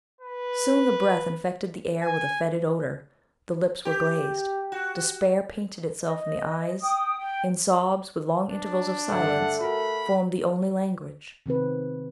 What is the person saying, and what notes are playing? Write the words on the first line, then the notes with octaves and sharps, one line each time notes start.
Soon the breath infected the air with a fetid odour, the lips were glazed, despair painted itself in the eyes, and sobs, with long intervals of silence, formed the only language.
B4
G#5
G4
F#4
D#5
G5 D#6
G5
D4
G2 D3 A3 F#5
F#4 A#4 B5
C3 D#3 C4 B4